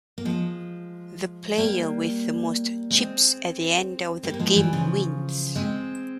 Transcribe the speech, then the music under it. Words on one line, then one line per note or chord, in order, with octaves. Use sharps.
The player with the most chips at the end of the game wins.
A#3
F3 G#3
G3 A#3
G#3 C4
G3 A#3
A#3
F3 G#3
E3 G3
C#3 F3
G#3 C4